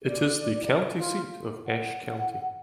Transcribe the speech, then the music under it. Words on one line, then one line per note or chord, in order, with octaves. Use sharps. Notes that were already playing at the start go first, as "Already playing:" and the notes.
It is the county seat of Ashe County.
D5
F4
F#5